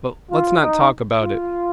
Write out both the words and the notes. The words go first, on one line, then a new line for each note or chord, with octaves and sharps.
But let's not talk about it.
F4
D#4
F4